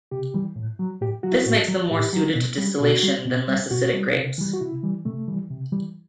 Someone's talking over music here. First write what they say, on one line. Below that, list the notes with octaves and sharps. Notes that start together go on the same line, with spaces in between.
This makes them more suited to distillation than less acidic grapes.
C3 G4
E3 G3
A2
F#3
A2 G4
F#3 F#4
E4
F#4
A2
F#3
A2 G4
F#3
B2
G3
B2 F#4
G3
B2
G3
B2 F#4
G3
C3
E3 G3
F#4
C3 E4
E3 G3
C3 A3
E3 G3
C3
E3 G3